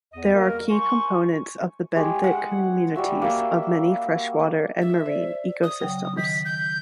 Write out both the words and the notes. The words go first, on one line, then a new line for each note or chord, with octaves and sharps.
They are key components of the benthic communities of many freshwater and marine ecosystems.
E2 D#5
G3 A#3 F#4 A#4
C5 G#5 C#6
G#3 G4 C#5
F#5
G3 F#4 E5
A#3 E5
E5
C5 D5
D#6
C#3 F#3 G5
D#3 B6
G6